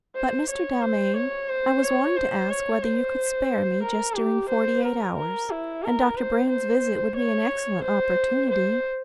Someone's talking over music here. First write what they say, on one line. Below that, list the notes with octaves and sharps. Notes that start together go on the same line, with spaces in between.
But, Mr. Dalmain, I was wanting to ask whether you could spare me just during forty-eight hours; and Dr. Brand's visit would be an excellent opportunity.
C5
C#5
C5
C#5
C5
C#5
C5
C#5
C5
A#4
G4
C5
A#4
A#4
E4
A#4
C5
C5
C#5
C5
C5